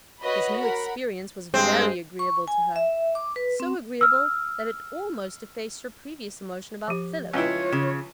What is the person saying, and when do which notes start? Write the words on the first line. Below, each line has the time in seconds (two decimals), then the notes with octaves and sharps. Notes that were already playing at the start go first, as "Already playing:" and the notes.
This new experience was very agreeable to her, so agreeable that it almost effaced her previous emotion about Philip.
0.22 F#4 B4 C#5 D#5 B5
0.61 A#4 F#5 B5
1.54 G2 G#3 C4
2.19 C#6
2.48 G#5
2.76 E5
3.15 D6
3.36 B4
3.60 C4
4.01 E6 F6
6.88 F3 G4
7.33 C#2 E4 F4 B4 C#5 D#5 G5
7.72 C#3